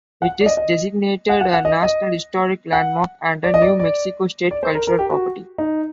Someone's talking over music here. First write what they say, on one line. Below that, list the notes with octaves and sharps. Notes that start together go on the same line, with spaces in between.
It is designated a National Historic Landmark and a New Mexico State Cultural Property.
F#5
D5
D#5
D#5
F#5
F#5
F#5
D#5
D#5
F#5
D5
D#5
D5
D5
D5
C5
A#4
A#4
G4
F#4
D#4